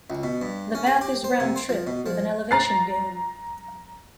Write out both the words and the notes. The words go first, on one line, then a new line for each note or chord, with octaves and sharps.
The path is round trip, with a elevation gain.
C#2
B2
G2
C#4
G#4
G4
C5
C3
C5
F3
B2
F3
A#5 A6 C7